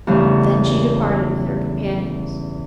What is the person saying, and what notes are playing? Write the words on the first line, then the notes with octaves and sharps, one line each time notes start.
Then she departed with her companions.
E2 G2 C#3 A3 C#4